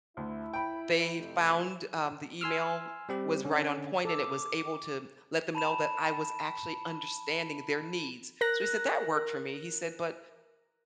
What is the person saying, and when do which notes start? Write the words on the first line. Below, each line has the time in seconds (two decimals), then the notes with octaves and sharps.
they found, um, the email was right on point and it was able to let them know that I was actually understanding their needs". So he said, "That worked for me." He said, "But,
0.17 D2 E4
0.53 G5 B5
1.19 F2 C3 A3
2.41 G#5 C6 E6 F6
3.09 G3 C4 G4
3.45 D3 C#4
4.05 A4 D6
5.55 A5 B5 E7
8.41 A#4 F#6 A#6